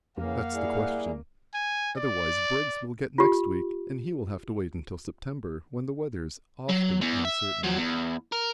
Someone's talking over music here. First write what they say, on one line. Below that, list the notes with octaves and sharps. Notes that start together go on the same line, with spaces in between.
That's the question. Otherwise Briggs will get next week, and he will have to wait until September--when the weather is often uncertain.
F2 C#3 E3 A#3 F5 F#5
G3 E4 G#4
G#5
D5
F4 G4
F#3
E2
E5
F3 F#3
E2
A#4